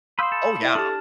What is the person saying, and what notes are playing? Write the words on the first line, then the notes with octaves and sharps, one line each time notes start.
Oh, yeah.
B4 C5 F5 B5 C6 D#6 E6 G6
A4
E4 D5 E5
D4 G4 A4 A5 F6